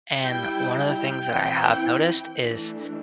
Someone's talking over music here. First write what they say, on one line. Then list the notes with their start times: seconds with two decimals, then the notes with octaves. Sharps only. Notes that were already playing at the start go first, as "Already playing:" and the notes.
and one of the things that I have noticed is,
0.21 G3 E4 G5
0.75 G5
1.28 E3 C4 E4
2.35 E3 A3 D4